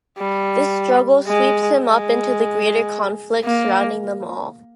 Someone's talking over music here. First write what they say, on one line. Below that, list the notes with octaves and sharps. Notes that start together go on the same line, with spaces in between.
This struggle sweeps him up into the greater conflict surrounding them all.
G3
G#3
G#3
A#3